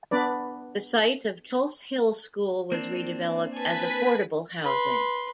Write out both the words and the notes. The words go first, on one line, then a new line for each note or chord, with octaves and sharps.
The site of Tulse Hill school was redeveloped as affordable housing.
B3 D4 B4 D5
A#3 C4 D4
B4 G#5 A5 B6
B4 C6